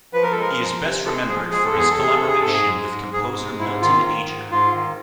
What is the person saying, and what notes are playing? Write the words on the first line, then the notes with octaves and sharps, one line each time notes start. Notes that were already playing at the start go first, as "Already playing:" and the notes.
He is best remembered for his collaboration with composer Milton Ager.
F3 B4
A#4
A4
G#3
A#4
F3
C3
G#3 A4
F3 G#4
G#3 G#4
A4
E2 G#4
A4
C3 G#4
A4
C3
G#4
G#2 A4
G#4
G#3
G#2
G#2 G#4
G#3
G#2 E4
D#3 F4
D#3
G#2
G#2 F4
D#3